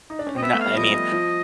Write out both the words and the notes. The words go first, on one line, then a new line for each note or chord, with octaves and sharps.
n I mean,
D#4
D4
C#4
C4 D#5
B3 E5
A3
F5
G3
F3 D#5
F3
F3